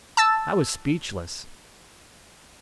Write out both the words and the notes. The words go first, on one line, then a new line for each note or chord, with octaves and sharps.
I was speechless.
A5 E6 A6